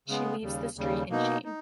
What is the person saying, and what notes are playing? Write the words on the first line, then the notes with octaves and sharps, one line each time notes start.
She leaves the Street in shame.
C#3 G#3 B3
D#2 C#3 G3
D#2 C#3 G3
B2 A#3 D#4
D#4